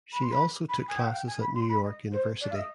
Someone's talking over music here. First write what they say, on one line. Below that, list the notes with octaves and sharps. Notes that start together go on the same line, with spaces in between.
She also took classes at New York University.
B5
C6
B5
B5
G#5
G5
F5
G5
G#5
B5
C6
B5
D#5
C5
D5
F5
D#5